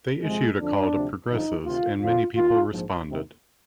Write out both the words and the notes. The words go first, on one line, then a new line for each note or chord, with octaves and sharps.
They issued a call to progressives, and many people responded.
F2 C3 F3 G#3
F2 D3 F3 D4
D2 C3 F3
G#1 G2 D3 F3 D#4
D2 C3 D#3 F4
F2 D3 F3 F4
D#2 D#3 F4
A#1 G#2 F3
D2 C3 D#3